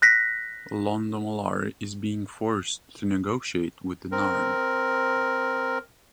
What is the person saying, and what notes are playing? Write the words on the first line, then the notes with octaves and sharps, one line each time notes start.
Londo Mollari is being forced to negotiate with the Narn.
F#6 A#6 B6
C4 A#4